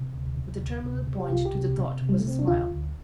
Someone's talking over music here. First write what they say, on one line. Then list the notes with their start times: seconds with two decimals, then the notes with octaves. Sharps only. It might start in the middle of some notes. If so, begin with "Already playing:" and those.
But the terminal point to the thought was a smile.
Already playing: C3
0.13 D2
0.36 C3
0.60 D2
0.84 C3
1.07 C3
1.20 G4
1.30 C2 F4
1.45 G4
1.54 C3
1.78 C3
2.01 C3
2.09 G3
2.19 A3
2.24 C3 C4
2.39 D4
2.47 D2 F4
2.71 D2